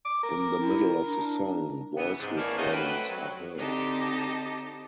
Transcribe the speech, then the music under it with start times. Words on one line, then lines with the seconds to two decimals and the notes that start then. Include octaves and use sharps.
In the middle of the song, voice recordings are heard.
0.05 D6
0.23 A#4
0.60 E4
1.05 D4
1.97 C#3 E3 B3
2.19 G#2 C3
2.38 D#3 E3 A#3 D4 A#4 C#5
2.57 E3 A3 C#4 D#4 F4 F#4
2.73 A3 C4 F#4 B4
3.09 F#3
3.56 D3 C4 D#4 G4 D#5 A5